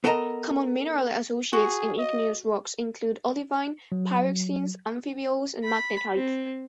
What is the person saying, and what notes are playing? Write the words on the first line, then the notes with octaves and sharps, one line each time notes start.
Common mineral associates in igneous rocks include olivine, pyroxenes, amphiboles and magnetite.
B3 A4 A#4 D#5 A5 A#5
F#4 G#4
D#5
F#3
B5
C4